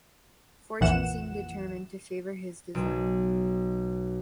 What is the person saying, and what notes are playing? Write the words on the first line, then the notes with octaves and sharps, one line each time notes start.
Fortune seemed determined to favour his design.
A#1 F2 A#2 E3 F#5 E7
B1